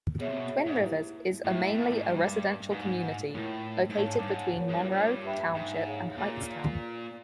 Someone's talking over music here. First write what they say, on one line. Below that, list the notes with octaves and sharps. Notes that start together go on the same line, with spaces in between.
Twin Rivers is a mainly a residential community located between Monroe Township and Hightstown.
B2 G#4 C#5 E5
C3
B2
G#2
E4 G4 B4
A2 E4 G4 B4 E5
B2
A#2
A2
G#2
G2 G4 A#4 D#5 G5
G#2 F#4 B4 D5 F5 G#5
A2 F4 A#4 C#5
G#2
A2 C#5 F5 A5
G#2
G2
G#2
F4 A#4 C#5
G#2
G2
G2
G4 B4 E5 G5 B5
G#2
D#4 G#4 C#5 F5
A#2
B4 D5 F5 A#5